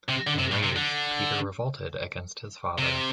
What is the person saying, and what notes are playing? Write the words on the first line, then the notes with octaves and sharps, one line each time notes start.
Enraged, Peter revolted against his father.
C3
D3
C3
A2
C3
D3
C3